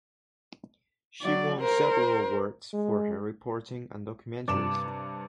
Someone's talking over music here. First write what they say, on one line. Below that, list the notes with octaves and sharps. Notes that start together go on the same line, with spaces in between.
She won several awards for her reporting and documentaries.
F#3 D5
A#4 C5
G#3
G2 C3 D5 E7